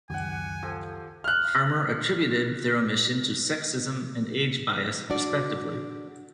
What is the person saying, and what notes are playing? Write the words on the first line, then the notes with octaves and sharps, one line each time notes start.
Farmer attributed their omission to sexism and age bias, respectively.
C#2 F#2 D#3 G4 F#5 G#5
F3 G4 A4
F6 F#6
D4 F#4 D5